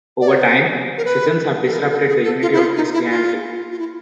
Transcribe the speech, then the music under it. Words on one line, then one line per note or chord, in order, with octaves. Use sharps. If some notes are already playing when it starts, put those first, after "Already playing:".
Over time, schisms have disrupted the unity of Christianity.
D5
C#5
C5
A#4
B4
A4
A#4
A4
G#4
A4
F4
E4
F4
D#4
E4
F4
F4
E4